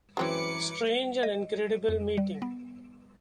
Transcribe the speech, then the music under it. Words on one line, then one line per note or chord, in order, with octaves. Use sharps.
Strange and incredible meeting!
F#2 E3 G#3 C4 C#4 B4 D6 C#7
D#5
F2
G3
B3